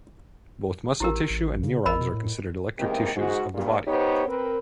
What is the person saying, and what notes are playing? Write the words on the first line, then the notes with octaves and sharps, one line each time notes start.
Both muscle tissue and neurons are considered electric tissues of the body.
A1 E4 G4 A#4
A1
C#3
A1 A#4 D#5 B5
B2
A2
E2 C3 D#3 G#3 A#3 G4
G#2 F#4
G2 A#2
B3 D#4 G4 C5 C#5
C4 A#4 B4